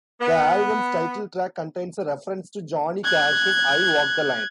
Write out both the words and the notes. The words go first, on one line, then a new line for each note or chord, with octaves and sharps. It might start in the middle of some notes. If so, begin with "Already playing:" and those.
The album's title track contains a reference to Johnny Cash's "I Walk the Line".
B3
F#6 G#6